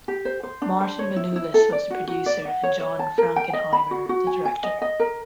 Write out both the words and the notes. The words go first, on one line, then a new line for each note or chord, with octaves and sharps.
Martin Manulis was the producer and John Frankenheimer the director.
G4
C5
C5
D4
C5
C#5
E4
E4
A4
D5
F#4
F#4
D5
F#5
C#5
C#5
A5
A#4
G5
D#5
B5
F#4
F#4
G#5
G#5
D#5
D#5
A#4